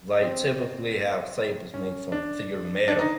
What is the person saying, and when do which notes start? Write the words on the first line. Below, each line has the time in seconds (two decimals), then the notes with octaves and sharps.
They typically have staples made from thicker metal.
0.22 C4
1.74 C#4
2.12 D4
2.88 D4
2.99 D#4